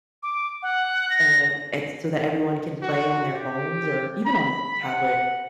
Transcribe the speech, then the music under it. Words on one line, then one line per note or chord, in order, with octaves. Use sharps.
uh, at so that everyone can play on their phones or even on tablet,
D6
F#5
A#6
F#4
G4
B5
F#5